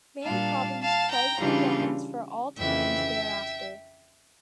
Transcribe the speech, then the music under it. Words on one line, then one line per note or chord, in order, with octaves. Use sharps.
Land problems plagued the Romans for all times thereafter.
A#2 G3 A#3 D4 F5 A5
F5 A5
G5 A#5
C#3 E3 G3 D4 F4
F2 C#3 E3 E5 G5